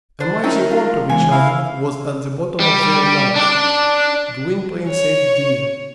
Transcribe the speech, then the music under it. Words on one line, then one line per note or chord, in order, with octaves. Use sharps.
A mighty want of each other was at the bottom of their loves, Gwynplaine saved Dea.
D4 C5
C#4 D#4 E4 A#4 G5
F4
E3 G#3 B3 G#5
C#3 E4 F5
G3
D4 D5
C#5